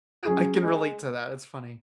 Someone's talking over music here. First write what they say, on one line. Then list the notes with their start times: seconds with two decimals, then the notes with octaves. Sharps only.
I can relate to that, it's funny.
0.25 F#3 C#4 G#4
0.63 G#3